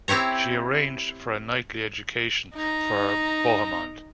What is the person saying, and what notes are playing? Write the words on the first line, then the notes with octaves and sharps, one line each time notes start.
She arranged for a knightly education for Bohemond.
C4 E4 G4 C#5 A#5
D#4 A#5